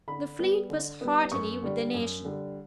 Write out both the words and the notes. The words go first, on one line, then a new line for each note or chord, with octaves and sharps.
The fleet was heartily with the nation.
D3 B5
G3 B3
D3
G3 B3
F#2 C#6
D3 G3
F#2
D3 G3